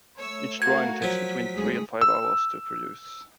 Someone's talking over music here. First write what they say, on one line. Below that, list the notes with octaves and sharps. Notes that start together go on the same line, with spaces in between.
Each drawing takes between three and five hours to produce.
A3 C#5 E6
F#4 A#4 F5 G#6
F3 F#3 B6
D2 G#3 G#4
E6